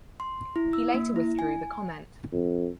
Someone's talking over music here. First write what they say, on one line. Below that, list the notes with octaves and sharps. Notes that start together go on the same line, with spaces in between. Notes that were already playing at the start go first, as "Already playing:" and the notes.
He later withdrew the comment.
C6
E4
E6
A#3
E4
G#5
F2